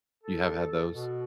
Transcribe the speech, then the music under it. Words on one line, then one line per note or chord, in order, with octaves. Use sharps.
You have had those?
A4
B2